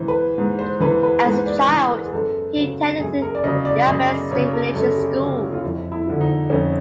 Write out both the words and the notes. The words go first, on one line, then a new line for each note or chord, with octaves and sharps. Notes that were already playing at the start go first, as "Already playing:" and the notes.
As a child, he attended the Yavetz State Religious School.
Already playing: G#2 E3 C5
B4
G#2
C5
E3 B4
B4
G#2 B4
D5
E3
A#4
G#4
F#2 A4
C#3 F#3
F#2 G#4
A#4
D5
C#3 F#3 D#5
D5
F#2 D#5
C#3 F#3 C#5
A#4
F#2 A4
G4
C#3 F#3 F#4
F4
F4
F2 E4
E4
D3 F3
D#4
F2 C#4